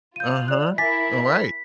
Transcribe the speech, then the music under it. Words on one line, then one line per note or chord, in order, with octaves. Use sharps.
Uh-huh. Alright.
F4 G6 D#7
D5 F#6
E4 A#4 G#5 D6 A6 B6